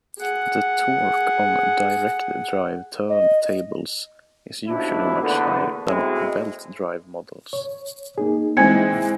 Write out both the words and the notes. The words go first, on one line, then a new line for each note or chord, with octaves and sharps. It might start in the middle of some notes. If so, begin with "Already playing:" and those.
The torque on direct-drive turntables is usually much higher than on belt drive models.
G#4 F#5
D#5
A1 D#2 B2 F3 D4 E4
E2 A#2 D3 A3 B3
B1 B2 G#3 A3 C4 E4
C#5
A#3 D#4 G#4
E3 G#3 C4 G#5 G#6 C#7